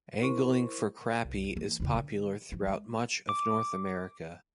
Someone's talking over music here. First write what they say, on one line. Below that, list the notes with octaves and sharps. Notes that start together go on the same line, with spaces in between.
Angling for crappie is popular throughout much of North America.
E4 A#4 C5 C6 C#6
C2
E3 A#3
E2 C#3
D3 B3
F3
G#3
D6